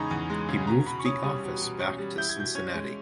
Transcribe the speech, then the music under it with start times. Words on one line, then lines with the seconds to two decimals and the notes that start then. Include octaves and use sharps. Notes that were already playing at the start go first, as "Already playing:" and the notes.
He moved the office back to Cincinnati.
Already playing: E2 C#3 G#3 D#4 G#5 A#5 B5 C#6
0.11 E2
0.30 G#3
0.49 C#3
0.67 B2 A#5
0.86 B2 B5
1.00 C#6
1.05 C#4 D#6
1.24 G3 D#6
1.43 B2
1.62 B2
1.79 C#4
1.98 G3
2.17 E4 G6
2.29 G#6
2.36 B2 G6
2.55 C#4 G#6
2.74 G#3